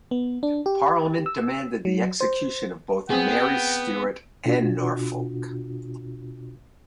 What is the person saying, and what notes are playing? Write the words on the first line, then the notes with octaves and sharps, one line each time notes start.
Parliament demanded the execution of both Mary Stuart and Norfolk.
B3
D4
G4
E6
F#3
C5
B3 C4 G#4 G5
B2 D4 F4 F#4